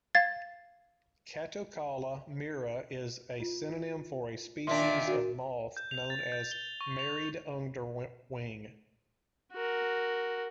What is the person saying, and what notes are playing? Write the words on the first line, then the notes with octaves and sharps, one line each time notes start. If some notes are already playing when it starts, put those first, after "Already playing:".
"Catocala myrrha" is a synonym for a species of moth known as married underwing.
F5 G#6 A6
F4
A#2 D#3 D4 E5 C6
F#4 A#4
G6
F7
A6
G6
G7
C#6
F7
F#4 A#4